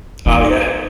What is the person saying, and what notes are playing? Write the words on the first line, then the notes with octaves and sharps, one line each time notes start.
Oh, yeah.
D#4